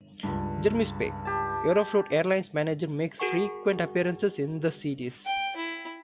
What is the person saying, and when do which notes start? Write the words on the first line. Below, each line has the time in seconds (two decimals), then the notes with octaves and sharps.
Jeremy Spake, Aeroflot Airlines Manager makes frequent appearances in the series.
0.23 C#2 G2
1.25 G4 A5
3.20 F#4 G#4 A#4 F#5 G#5 C#6
5.26 G5
5.56 E4